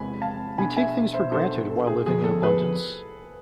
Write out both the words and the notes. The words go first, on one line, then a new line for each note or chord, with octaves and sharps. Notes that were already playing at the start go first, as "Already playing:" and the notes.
We take things for granted while living in abundance.
Already playing: E2 C3 G#3 G#5 B5
F5 A5
B2 B3 D4 G#5 B5
E5 G#5
C5 E5
B2 B3 D4 A4 C5
A4
G#4
F2 D3 F3 B3 G#4
A4
G#4 B4